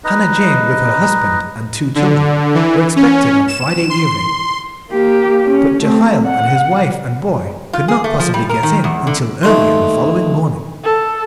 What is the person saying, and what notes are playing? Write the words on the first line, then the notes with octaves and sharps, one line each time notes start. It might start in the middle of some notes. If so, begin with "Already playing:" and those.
Hannah Jane, with her husband and two children, were expected on Friday evening; but Jehiel and his wife and boy could not possibly get in until early on the following morning.
D#4 B4 D#5
D3
E3
C#4
E7
C6
A#3 G4
C#4
A3 C4
F#5
F4
G#4
A3
F3
G3
A#4
D#3
E2
D3
D#2 A3 C6
A4